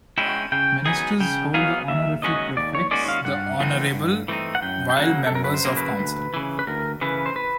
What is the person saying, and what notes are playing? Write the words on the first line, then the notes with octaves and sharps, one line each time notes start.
Ministers hold the honorific prefix "The Honourable" while members of the council.
G#3 C#4 E4 G5
C#3 G5
F#3 B3 D#4 G#4 G#5
C#3 G5
F#3 B3 D#4 G#4 F5
D#2 E5
D#3 G#3 C#4 F#4 D#5
D#2 D5
C#5
D#3 G#3 C#4 F#4 D5
F5
G2 F#5
E3 A3 C4 D#4
G2
E3 A3 C4 D#4
F#5
F#2 G5
G5
C#3 F#3 A#3 F#5
A4
F#2 A#4
B4
C5
C#3 F#3 A#3
B4
D2
C#3 E3
B4
D2 A#4
C#3 E3 B4
C5
B4